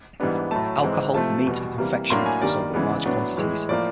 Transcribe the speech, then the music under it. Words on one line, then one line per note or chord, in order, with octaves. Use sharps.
Alcohol, meat and confectionery are sold in large quantities.
G#2 E3 G3 B3 D4
A2 F#3 A3 A5
G#2 E3 G#3 C4
C3 F3 A3 A5
E2 B2 G3
C3 E3 G3 A#3
A2 F#3 A#3 D4 C6
G#5
G2 D#3 G3 A#3 D5
C#3 E3 G#3 B3
A2 F#3 B3 D4
A2 E3 G#3
A2 F3 A#3 D5